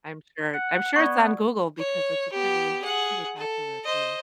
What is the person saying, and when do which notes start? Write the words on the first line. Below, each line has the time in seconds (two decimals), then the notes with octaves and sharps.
I'm sure I'm sure it's on Google because it's a pretty pretty popular place.
0.54 F#5
0.96 B3 D5 C#6
1.78 C#5
2.32 B3 G4
2.82 G#4 F#5
3.37 A4
3.84 C5 D#5